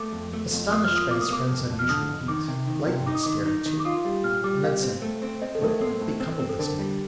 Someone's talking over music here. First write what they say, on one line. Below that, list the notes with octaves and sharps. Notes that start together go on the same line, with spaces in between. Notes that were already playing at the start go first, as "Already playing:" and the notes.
Astonished by his friend's unusual heat, Lightwood stared too, and then said: 'What can have become of this man?'
Already playing: A3 D6
F2
A3
F2
A#3 D#6
F6
F3
D#6
A#3 D6
D#6
A#3 D6
F2
F2
F6
D3 D#6
F2
D#3 D6
C3
D#3
C3
D#4 D6
D#6
D#3 D6
D#4
D#3
D6
F4 D#6
G3
A#2 F6
G3 D6
C4 F5
C4
A3
C4
C4 D#5
A4
A2 A#4
A4
C4 A4
A2
C4
C4
A4
D3 A#4
G3